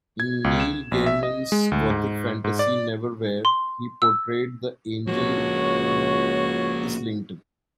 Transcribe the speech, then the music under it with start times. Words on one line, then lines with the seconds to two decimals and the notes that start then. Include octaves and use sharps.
In Neil Gaiman's gothic fantasy "Neverwhere", he portrayed the angel Islington.
0.20 G#6
0.44 C#2
0.60 E7
0.92 A#1
1.06 E5
1.23 D#5
1.52 G#3
1.72 D2
1.90 G#2
2.44 G#2
2.59 D5
3.45 C6
4.02 E6
5.08 C#2 F3 A#3 F#4 C#5